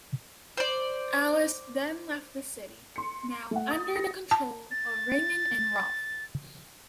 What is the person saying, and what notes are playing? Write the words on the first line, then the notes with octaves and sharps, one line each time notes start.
Alice then left the city, now under the control of Raymond and Ralph.
C5 D5
C6 C#7
A3 F#5
D#6 A6
G4 A#6 C#7
A5
A6